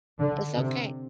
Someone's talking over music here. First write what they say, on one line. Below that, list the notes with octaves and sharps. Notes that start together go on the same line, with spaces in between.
It's okay.
D3
C3